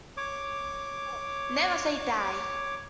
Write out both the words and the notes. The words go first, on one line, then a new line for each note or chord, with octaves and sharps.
Never say die.
C#5 D6